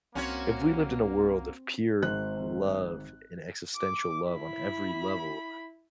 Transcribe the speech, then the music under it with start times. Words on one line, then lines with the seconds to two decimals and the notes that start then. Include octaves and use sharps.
if we lived in a world of pure love and existential love on every level
0.15 C2 A#3 C4 C#4 F#4 C#5
2.02 G#1 G#2 C5 F#6
3.76 D6
4.29 E4 B5